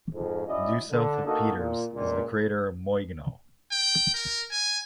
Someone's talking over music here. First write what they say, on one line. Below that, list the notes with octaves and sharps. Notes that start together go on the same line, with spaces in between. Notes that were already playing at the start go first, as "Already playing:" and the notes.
Due south of Peters is the crater Moigno.
F2 G#2
C#4 E4 F#4 D5 D#5
D3
A#3 D#4 F#4 A4 D#5
A#2
C#2 A#2
G5
A#4
G#5